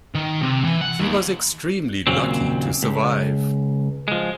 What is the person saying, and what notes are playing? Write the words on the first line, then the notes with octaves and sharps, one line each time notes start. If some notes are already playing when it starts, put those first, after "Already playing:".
He was extremely lucky to survive.
D#3
C3
E3
F#5
D#2
D#2 A#2 C#3 F#3 C4
C#2
F3 G#3